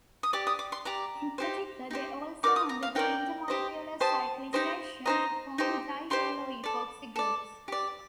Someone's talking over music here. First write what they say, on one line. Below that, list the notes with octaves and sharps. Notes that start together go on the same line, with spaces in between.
In particular they also undergo intramolecular cyclisation to form dihaloepoxy groups.
D#6
G4 D5 D6
D#6
D6
C6
G4 D5 A#5
D#4 G4 C5
D#4 G4 C5
D#4 A#4 D5 D6
D#6
A#5
F5
D#4 A#4 D5 G5
G4 C5 D#5
G4 C5 D#5 A5
D#4 G4 C5 D#5
D#4 G4 C5 D#5 A#5
D#4 G4 C5
D#4 G4 C5 C6
A4 D5
A4 D5
G4 D5